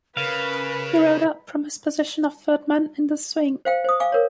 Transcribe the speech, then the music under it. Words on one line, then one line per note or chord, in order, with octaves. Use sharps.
He rode up from his position of third man in the swing.
C#3 A#4 B4 F5
C5 F5 G5
C5 D#6
F5 G#5 D6
A#4 C#5